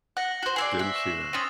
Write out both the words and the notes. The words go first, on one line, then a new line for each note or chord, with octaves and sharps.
Didn't see that.
F#5 F#6 A#6 F#7
F#4 C5
G#4 C5 D5 E6 C7
E5
C#6 E7
C4 C#4 D#6 A6 D#7